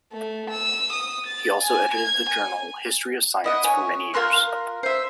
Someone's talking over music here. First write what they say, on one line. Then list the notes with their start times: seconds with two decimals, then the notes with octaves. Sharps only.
He also edited the journal "History of Science" for many years.
0.12 A3
0.50 E6
0.93 D#6
1.27 A6
1.61 G#5
1.94 G#6
2.29 G#5
3.44 E4 D#5 F#5
3.64 C#5 G#5
4.14 F4 A#4 C6 F#6
4.83 C5 E5